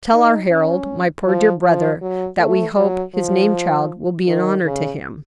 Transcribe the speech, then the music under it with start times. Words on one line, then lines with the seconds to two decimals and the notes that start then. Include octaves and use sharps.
"Tell our Harold--my poor dear brother--that we hope his name-child will be an honor to him."
0.13 D#4
0.50 C#4
1.26 F3
1.64 F3
2.02 F#3
2.39 A3
2.77 F#3
3.15 F3
4.28 D#3
4.66 C#3